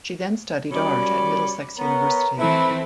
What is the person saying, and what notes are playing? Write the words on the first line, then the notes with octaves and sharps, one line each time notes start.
She then studied art at Middlesex University.
F#2 G3 C#4 D5 B5
B3 A#4 C#5 A#5
E3 A3 C4 E4 B4